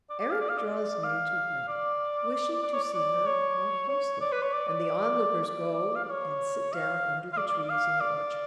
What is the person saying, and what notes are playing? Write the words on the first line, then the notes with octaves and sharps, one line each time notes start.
Erec draws near to her, wishing to see her more closely, and the onlookers go and sit down under the trees in the orchard.
D5
D5
F5
D5
F5
D5
F5
D5
D5
C#5
D5
D5
C#5
C#5
D5
B4
C#5
D5
D5
D5
F5
D5
C#5
F5
F5
D5
D5
D5
F5
D5